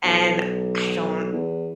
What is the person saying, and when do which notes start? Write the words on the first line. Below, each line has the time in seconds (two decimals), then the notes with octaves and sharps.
and I don't
0.04 B1
1.33 E2